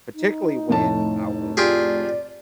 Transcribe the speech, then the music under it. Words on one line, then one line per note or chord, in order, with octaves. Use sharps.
particularly when I was
D#4
F1 A2 A5
F4 G4 G#4 D5